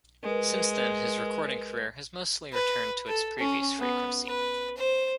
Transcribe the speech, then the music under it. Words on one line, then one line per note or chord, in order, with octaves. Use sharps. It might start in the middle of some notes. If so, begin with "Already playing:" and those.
Since then his recording career has mostly returned to its previous frequency.
G#3 A#4 B4
B4
A4
C#4
B3
B4
C5